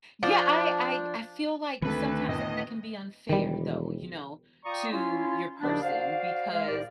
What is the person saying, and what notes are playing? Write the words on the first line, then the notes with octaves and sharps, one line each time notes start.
Yeah, I I I feel like sometimes that can be unfair, though, you know, to your person, because,
F3 D4
D2 D#3 C4 A4 B4
A2 B3 D#5
E1 D#3 G3
F4 D5 G5 A#5 C#6 D#6
C#4 E4 F4
D#2 C#3 F3 D4
F#4 C5 D5 F5
G#3 F5
C2 A2 G4 A#4 D5